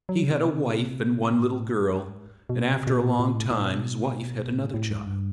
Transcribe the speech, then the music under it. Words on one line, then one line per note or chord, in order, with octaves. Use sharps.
He had a wife and one little girl, and after a long time his wife had another child.
F#3
C#3
C3
B2
C3
A2
G#2
B2
C3
B2
A#2
A#2
A2
A2
B2
A#2
A2
A2
G#2
G2